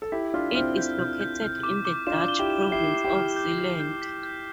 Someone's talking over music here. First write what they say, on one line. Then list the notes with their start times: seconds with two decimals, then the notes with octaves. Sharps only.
It is located in the Dutch province of Zeeland.
0.02 A4
0.12 E4 G4 B6
0.34 D4 F4 F6
0.50 D4
0.55 C4 E4 F6
0.77 G6
0.99 G6
1.21 G6
1.42 F6
1.63 D6
1.85 D6
2.07 D4 F4 E7
2.28 G7
2.39 E4 G4
2.50 E7
2.72 E4 G4 C7
2.94 C7
3.04 E4 G4
3.15 F6
3.36 G6
3.58 G6
3.80 G6
4.02 B6
4.23 G6